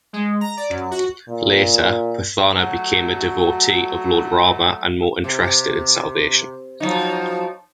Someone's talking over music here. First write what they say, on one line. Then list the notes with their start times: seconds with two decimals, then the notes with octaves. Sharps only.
Later, Pothana became a devotee of Lord Rama and more interested in salvation.
0.13 G#3
0.41 A#5
0.57 D5
0.70 F#2
0.91 F#4
1.28 A#2
2.53 F#3 A3 F#4
5.24 C3
6.80 F3 F#3 D#4